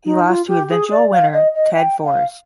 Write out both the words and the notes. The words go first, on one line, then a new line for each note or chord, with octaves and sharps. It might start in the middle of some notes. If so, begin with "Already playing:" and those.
He lost to eventual winner Ted Forrest.
D#4
F4
G4
G#4
D5
F5
D#5
D#5
G5
F5